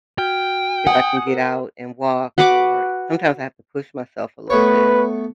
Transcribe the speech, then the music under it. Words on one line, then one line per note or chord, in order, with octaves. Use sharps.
if I can get out and walk or sometimes I have to push myself a little bit,
F#4 G5 F6
F#5 G#5 D#6
A#4
F#4 B4 F#5 D6
A3 B3 B4 C#5